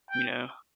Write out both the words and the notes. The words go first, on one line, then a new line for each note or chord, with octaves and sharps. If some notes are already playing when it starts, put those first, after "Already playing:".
You know?
G5